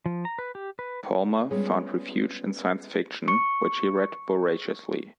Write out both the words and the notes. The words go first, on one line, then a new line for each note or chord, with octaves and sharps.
Palmer found refuge in science fiction, which he read voraciously.
F3
A#5
B4
G4
B4
G3 G#3 B3 C#4 F4 G#4
C#6 C#7